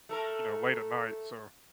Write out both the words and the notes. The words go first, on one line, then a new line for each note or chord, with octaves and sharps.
you know, late at night. So
A3 A4 A#4